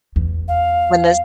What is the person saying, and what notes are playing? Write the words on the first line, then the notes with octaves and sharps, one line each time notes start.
When those
E2
F5